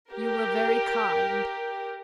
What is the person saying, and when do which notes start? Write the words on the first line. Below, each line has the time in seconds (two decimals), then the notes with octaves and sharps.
You were very kind.
0.10 G4 A#4